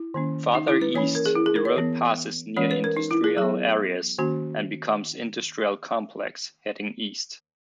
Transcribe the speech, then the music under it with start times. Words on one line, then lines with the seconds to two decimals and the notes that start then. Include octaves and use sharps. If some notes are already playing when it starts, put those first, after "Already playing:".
Farther east, the route passes near industrial areas and becomes Industrial Complex, heading east.
Already playing: E4
0.14 D#3 A#3 C#4
0.55 D#4
0.68 E4
0.81 B4
0.95 E3 A#3 C#4 C#5
1.15 A#4
1.26 G#4
1.35 E4
1.46 G#4
1.56 A#4
1.65 C#5
1.76 E3 B3
2.57 E3 G#3 C#4 C#5
2.71 B4
2.84 A#4
2.97 D#4
3.11 E4
3.24 G#4
3.37 F#3 B3 G#4
4.18 D#3 A#3 C#4 F#4